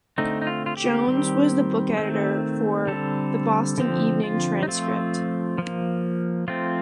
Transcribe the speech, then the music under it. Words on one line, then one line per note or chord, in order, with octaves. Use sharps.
Jones was the book editor for "The Boston Evening Transcript".
D3 A3 C4 D#4
D#4
F4
F4
G4
D#3 G3 C4
D#3 A3 C4
D3 G3 C4 A4
D3 F3 C4
F4
D#4
F3 A3 C4 F4
F3 A#3
F3 A3 C4 F4